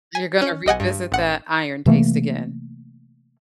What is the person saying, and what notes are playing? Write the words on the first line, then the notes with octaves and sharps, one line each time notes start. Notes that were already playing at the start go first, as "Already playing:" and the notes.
You're gonna revisit that iron taste again.
G#5
C#4
B1 D#5 F#5 G#5
G2
A1 F#5
C3 E3 A3 A#3